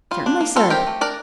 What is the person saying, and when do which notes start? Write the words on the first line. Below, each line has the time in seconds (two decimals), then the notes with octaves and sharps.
"Certainly, sir."
0.11 G3 F4
0.26 D4
0.41 A#3
0.56 G3 F4 A4
0.70 C4 G4 A#4
0.87 A3
1.01 D4 A#4 D5